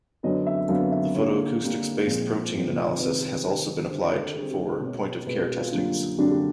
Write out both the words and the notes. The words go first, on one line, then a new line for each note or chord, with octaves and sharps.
The photoacoustics-based protein analysis has also been applied for point-of-care testings.
F#2 D3 F#3 B3 D#5
E5
F#2 D3 F#3 B3 F5
E5
D3 G3 A#3 C#5
D3 G3 A#3
A#2 F3 G#3 C4
A#2 F3 G#3 C4 C5
C3 D#3 G3 C4 B4
C3 D#3 G3 C4
D3 G3 C4 C5
A#4
A4
D3 G3 C4 G#4
G4
A#4
B2 G#3 C#4
B2 G#3 C#4 B4
F#4
F#4
F4
F#2 D3 G3 A#3 D4 F4
F#2 D3 G3 A#3 D4 F#4
G4